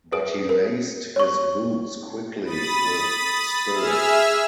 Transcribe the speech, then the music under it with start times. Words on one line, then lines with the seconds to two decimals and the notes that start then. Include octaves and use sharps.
But he laced his boots quickly, with spirit.
0.12 G#4 B4 D#6 D7
0.49 A#4
1.16 C#5 C#6
2.44 B5 D#6 A6
3.73 G#4 E5 E6 F6